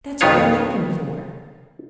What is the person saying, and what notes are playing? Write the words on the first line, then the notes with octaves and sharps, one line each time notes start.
"That's what I like him for."
B1 F2 D#3 B3 F4 C#5